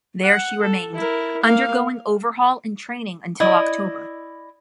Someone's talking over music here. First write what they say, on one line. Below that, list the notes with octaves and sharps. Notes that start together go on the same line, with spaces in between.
There she remained, undergoing overhaul and training until October.
F#5
A4
E4 A#4
A#3 F5
E4 D5 D#5